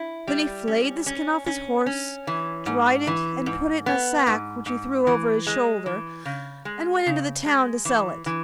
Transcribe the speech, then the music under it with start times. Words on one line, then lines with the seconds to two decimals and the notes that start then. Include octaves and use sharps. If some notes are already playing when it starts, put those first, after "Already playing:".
Then he flayed the skin off his horse, dried it, and put it in a sack, which he threw over his shoulder, and went into the town to sell it.
Already playing: E4
0.28 G3
0.68 C#4
1.06 C#4
1.46 C#4
1.86 C#4
2.27 E3
2.66 G#2
3.07 E3
3.46 G#2
3.86 B3
4.27 G#2
4.66 G#2
5.07 E3
5.47 G#3
5.86 E3
6.25 C#3
6.65 G#3
7.06 C#3
7.46 G#3
7.85 E3
8.26 E3